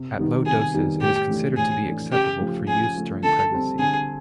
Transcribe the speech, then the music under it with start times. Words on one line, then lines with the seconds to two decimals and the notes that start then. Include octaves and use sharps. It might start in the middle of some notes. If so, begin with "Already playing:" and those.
At low doses it is considered to be acceptable for use during pregnancy.
Already playing: C3
0.18 D#3 G3 B3 D#4
0.46 C3 G#4
0.74 D#3 G3 B3 D#4
1.01 A2 G4
1.29 E3 A3 D4
1.57 A2 G#4
1.85 E3 A3 D4
2.12 C#3 G4
2.40 F3 A3
2.68 C#3 G#4
2.96 F3 A3
3.24 D3 A4
3.51 G3 C4
3.79 D3 G#4